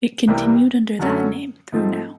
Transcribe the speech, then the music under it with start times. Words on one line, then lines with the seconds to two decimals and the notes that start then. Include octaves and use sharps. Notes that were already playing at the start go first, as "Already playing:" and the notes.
It continued under that name through now.
0.28 C2 C3 E3 G3 A#3
0.99 F#2 D3 F#3 A3 C#4
1.72 G#2 F3 A3 C4